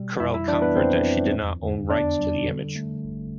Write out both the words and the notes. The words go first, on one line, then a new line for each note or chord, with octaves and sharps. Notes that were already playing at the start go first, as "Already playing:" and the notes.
Corel countered that she did not own rights to the image.
Already playing: B2 G3
F2 E4 E5
E4 E5
E3 D4 D5
B3 B4
F2 C4 C5
F2
E2
D3
B3 D4 D5
G3
D3
A3
G1